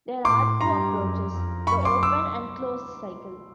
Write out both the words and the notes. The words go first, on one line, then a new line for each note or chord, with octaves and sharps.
There are two approaches: the open and closed cycle.
A2 C6 D6
G2 A#5 C6
F#2
F2
F#2 B5 C#6
C6 D6
D6 E6